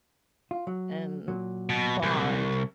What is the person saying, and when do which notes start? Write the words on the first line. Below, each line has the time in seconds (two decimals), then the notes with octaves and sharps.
and bond.
0.51 F4
0.67 F#3
1.28 A#2 F#3
1.69 B2
2.03 C2